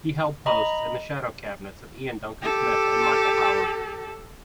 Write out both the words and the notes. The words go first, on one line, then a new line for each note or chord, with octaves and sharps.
He held posts in the shadow cabinets of Iain Duncan Smith and Michael Howard.
D#5 A#5 B5
G4 A4